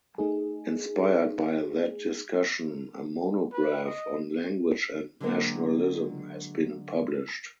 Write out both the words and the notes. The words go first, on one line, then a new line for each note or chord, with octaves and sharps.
Inspired by that discussion, a monograph on language and nationalism has been published.
A3 D#4 G#4
B4
D#5
D3 F#3 G#3 A#3 C4 A#4